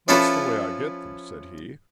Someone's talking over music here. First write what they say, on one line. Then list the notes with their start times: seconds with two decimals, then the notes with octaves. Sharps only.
"That's the way I get them," said he.
0.08 F3 C#4 E4 F4 A4 B4